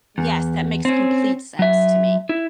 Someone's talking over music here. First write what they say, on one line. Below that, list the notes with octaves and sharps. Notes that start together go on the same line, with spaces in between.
Yes, that makes complete sense to me.
E2
C4 C#4
F#3 E5
E4